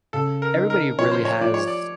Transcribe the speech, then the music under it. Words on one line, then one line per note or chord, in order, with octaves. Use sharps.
everybody really has
C#3 A4
A#4
D#4
A#4
F3 C#5
C5
C#5
F3 D5
C#5
D5